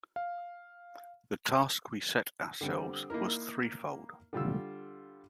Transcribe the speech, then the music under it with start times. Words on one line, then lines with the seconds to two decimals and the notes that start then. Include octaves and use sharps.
The task we set ourselves was threefold.
0.16 F5
2.61 D3 G3 C4
3.10 A#3 D#4 E4 A#4
4.33 D3 G3 F4 E6